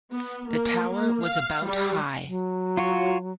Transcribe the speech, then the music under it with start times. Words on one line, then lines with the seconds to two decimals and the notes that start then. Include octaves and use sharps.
The tower was about high.
0.12 B3
0.50 A#3
0.92 A#3
1.24 F5
1.66 G3
2.27 F#3
2.77 F4 F#4 C#5